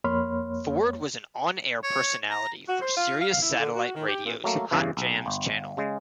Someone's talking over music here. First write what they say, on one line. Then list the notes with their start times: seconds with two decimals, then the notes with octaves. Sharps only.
Ford was an on-air personality for Sirius Satellite Radio's Hot Jamz channel.
0.04 F2 A#3 C#5 B5 C6 F6
1.84 C#5
2.30 A#5
2.67 F#4
2.81 C5
2.96 F4
3.20 F5
3.41 E4
3.59 D3
3.75 F#4
3.94 D#3
4.07 G4
4.24 A#2
4.44 F#3 A3 A#3
4.71 E2 G2 C#3 E3
4.97 B1
5.26 G1
5.77 C#3 G#3